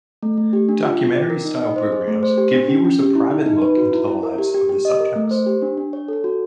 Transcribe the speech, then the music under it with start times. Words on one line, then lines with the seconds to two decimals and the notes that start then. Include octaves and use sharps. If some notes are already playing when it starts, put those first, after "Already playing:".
Documentary-style programs give viewers a private look into the lives of the subjects.
0.23 A3
0.38 A3
0.53 G4
0.69 D4
0.84 F4
1.00 G5
1.15 D5
1.30 A#4
1.45 D#4
1.61 D#5
1.76 C5
1.92 G#4
2.07 A3
2.23 C5
2.38 G4
2.54 D4
2.68 C#4
2.84 C#4
3.00 G4
3.15 E4
3.31 D#4
3.46 D#4
3.62 B4
3.77 F#4
3.92 E4
4.08 E4
4.23 A#4
4.38 G4
4.54 G4
4.69 G4
4.85 D#5
5.00 A#4
5.16 A3
5.31 C5
5.46 G4
5.62 D4
5.77 D4
5.93 C#5
6.08 A4
6.24 F#4